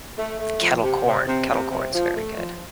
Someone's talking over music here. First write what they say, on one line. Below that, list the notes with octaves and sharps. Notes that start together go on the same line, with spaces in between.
kettle corn, kettle corn's very good.
A3
A3
F3
C3
C3
C3
C3
C3
F3
A3
F3